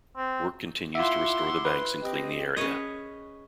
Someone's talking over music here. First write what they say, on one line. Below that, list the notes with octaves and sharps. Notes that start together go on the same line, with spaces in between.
Work continues to restore the banks and clean the area.
C4
E4 F4 E5 F#5 C6 D6 E6
B4
C4 G4 D#5 G5
C#4 G#4 B4 C#5 D#5